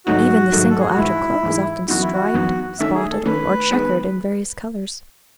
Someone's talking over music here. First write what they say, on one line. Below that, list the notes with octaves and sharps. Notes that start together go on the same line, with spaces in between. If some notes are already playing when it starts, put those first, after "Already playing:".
Even the single outer cloak was often striped, spotted, or chequered in various colours.
G#2 D#3 F#3 A3 D#4 F#4
G#2 D#3 F#3 A3 D#4
A4
G#4
F#4
G#2 E3 G#3 E4
G#2 E3 G#3
F#2 E3 B3 D#4 F#4
E4
F#4
F#2 E3 B3 D#4
D#3 A3 C#4 E5
G#4
A4
D#3 A3 C#4 B4
D#3 G#3 B3